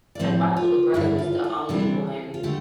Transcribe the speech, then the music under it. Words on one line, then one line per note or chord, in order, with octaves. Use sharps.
like, my little brother was the only one
D5
A2 F3 C4 C5
F4
G2 D3 G3 E4
F4
A4
C3 E3 G3 D4
F4
D3 A3 G4